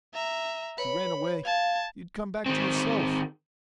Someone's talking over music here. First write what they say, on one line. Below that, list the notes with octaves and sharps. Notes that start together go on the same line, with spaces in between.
If you ran away, you'd come back to yourself.
E5 A#5
B4 C#5 B5
F5 A5 G#6
D#3 C4